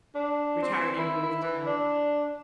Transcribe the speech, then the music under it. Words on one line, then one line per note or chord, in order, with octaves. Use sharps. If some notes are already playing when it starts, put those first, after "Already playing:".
retired and moved, um,
D4
C4
E4
E4
E3
D4